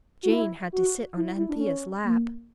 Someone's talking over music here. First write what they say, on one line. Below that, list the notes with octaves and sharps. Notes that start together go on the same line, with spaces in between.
Jane had to sit on Anthea's lap.
F#4
E4
F#4
E4
E4
D4
C#4
A#3